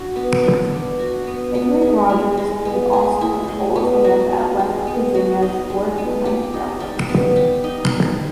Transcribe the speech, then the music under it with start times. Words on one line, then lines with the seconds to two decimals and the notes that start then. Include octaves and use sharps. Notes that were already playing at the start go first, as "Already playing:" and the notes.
Henry Rogers was also an old hand at West Virginia short line railroads.
Already playing: D4 F#4
0.16 B3
0.43 D4
0.72 B3
0.99 F#4
1.27 B3
1.55 B3
1.82 G#4
2.09 E4
2.37 G#3
2.65 B3
2.93 G#4
3.21 E4
3.48 G#3
3.76 B3
4.04 F#4
4.31 D#4
4.59 G#3
4.87 B3
5.15 F#4
5.42 D#4
5.70 G#3
5.98 B3
6.25 G4
6.54 D#4
6.80 G3
7.09 B3
7.36 G4
7.64 D#4
7.92 G3